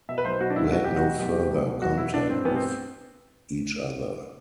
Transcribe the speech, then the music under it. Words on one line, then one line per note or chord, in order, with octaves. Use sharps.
We had no further contact with each other.
B2 E5
B4
B1 C5
B2 F#4
D4
B1 E4
B2 F#4
B1 G4
F#4
B2
B1 G4
B2
B1
B2
B1 F#4
B2 E4
E3 D4
G2 C4
A1 B3
C4